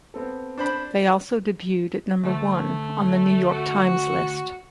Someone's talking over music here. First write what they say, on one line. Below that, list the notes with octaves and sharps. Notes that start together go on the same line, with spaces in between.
They also debuted at number one on "The New York Times" list.
B3 C4 A4
D4 C5 B5
D2 A3
F#4